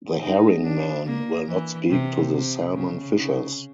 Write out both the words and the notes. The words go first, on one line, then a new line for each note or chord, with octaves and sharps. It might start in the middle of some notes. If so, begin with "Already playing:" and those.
The herring-men will not speak to the salmon-fishers.
D#4
D4
A#3
E3
C3
C3
C#3
C#3